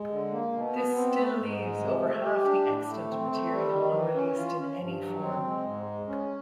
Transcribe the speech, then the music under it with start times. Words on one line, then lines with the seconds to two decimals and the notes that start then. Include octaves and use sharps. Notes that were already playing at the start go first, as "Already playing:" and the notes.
This still leaves over half the extant material unreleased in any form.
Already playing: G#3
0.10 D3
0.32 A#3
0.53 B2
0.74 B3
0.96 C4
1.17 A3
1.38 G#2
1.60 G#3
1.81 C3
2.03 A3
2.24 G4
2.45 D4
2.66 A2
2.87 A3
3.09 C4
3.30 A3
3.51 G3
3.73 D#3
3.94 E3
4.15 C#4
4.37 F4
4.58 C#4
4.80 G2
5.01 F#3
5.22 C4
5.44 G#3
5.65 G#2
5.86 G#3
6.07 C#4